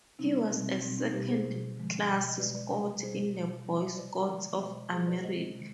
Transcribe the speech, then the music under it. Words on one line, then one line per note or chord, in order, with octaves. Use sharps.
He was a Second Class Scout in the Boy Scouts of America.
C3 G3 C4 D#4
B2 G3 C4
C4
B2 G3 C4
C4 D#4
B2 G3 G4 B4
G#4 C5
B2 G3
D3 F3 G#3
B2 G3
D#5
B2 G#3 B4 D5
B4 D5
C3 G3 B4 D5
B2 G3 G#4 C5
B2 G3
B2 G3
C5 D#5
C3 G3 B4 D5
D3 F3 G#3
B2 G#3 C5 D#5
B2 G3 G#4 C5
B4 D5
D3 G#3 C5 D#5
C3 D#3 G#3